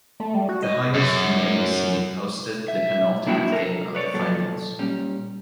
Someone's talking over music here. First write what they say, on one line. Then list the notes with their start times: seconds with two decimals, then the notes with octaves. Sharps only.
The highest remaining seed hosted the penultimate game of the Finals.
0.20 A3
0.34 G3
0.49 F#4
0.62 D#5
0.94 F#2
2.68 E5
3.26 A#3 D4 E4 F#4 G5
3.52 A4 A#4
3.95 B4 C#5 D5
4.13 A#2 F#3 A4
4.79 A#2 G3 C#4